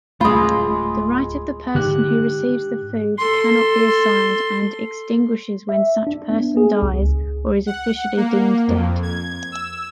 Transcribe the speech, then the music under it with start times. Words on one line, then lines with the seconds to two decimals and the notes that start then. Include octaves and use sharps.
The right of the person who receives the food cannot be assigned and extinguishes when such person dies or is officially deemed dead.
0.21 D1 G#3 A3 F4 B5 D#6
1.75 G#2 D3 G4 F#6
3.18 A4 C6
5.69 E5
6.07 D4
6.30 B3
6.57 G#4
6.82 C#2
7.67 F#5
8.17 A#3
8.68 F2
9.03 G#6
9.52 E6